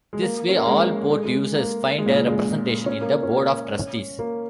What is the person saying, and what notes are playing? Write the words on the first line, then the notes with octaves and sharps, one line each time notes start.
This way all port users find a representation in the Board of Trustees.
G#3
A#3
C#4
A#3
G#3
G#3
G#3
A#3
G#3
A#2
C#3
G#3
C#4
A#3
C#4
A#3
C#4
A#3